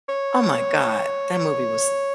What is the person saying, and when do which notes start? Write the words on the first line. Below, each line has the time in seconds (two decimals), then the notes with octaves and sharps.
oh my god. That movie was
0.09 C#5